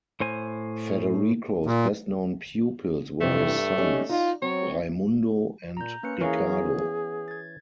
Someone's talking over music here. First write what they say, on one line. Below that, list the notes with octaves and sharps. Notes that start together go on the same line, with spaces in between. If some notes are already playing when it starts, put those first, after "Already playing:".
Federico's best-known pupils were his sons, Raimundo and Ricardo.
A2 C5 G#5
A#2
G2 C3 E3 A3
G3 C#4 D#4
D#4 F4
F#3 C4 C#5
A#2 A#5 G6
A#3 C#4 B4 C#7
E3 C#4 G#4 A#4 F5 A#5
B3
G#6 A6